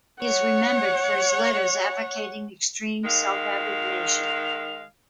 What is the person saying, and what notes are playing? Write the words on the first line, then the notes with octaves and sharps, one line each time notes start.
He is remembered for his letters advocating extreme self-abnegation.
C#5 F#5
D#3 G#3 F5